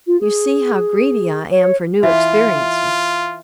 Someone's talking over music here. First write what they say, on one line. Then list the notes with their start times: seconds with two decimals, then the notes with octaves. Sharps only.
You see how greedy I am for new experiences!
0.07 F4
0.20 G#4
1.51 C#5
2.03 E3 F4